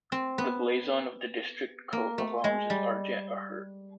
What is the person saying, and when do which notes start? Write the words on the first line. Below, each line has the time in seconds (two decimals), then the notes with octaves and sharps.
The blazon of the district coat of arms is Argent a Hurt.
0.12 C4
0.38 B3
1.93 A#3
2.18 A3
2.44 G#3
2.70 G3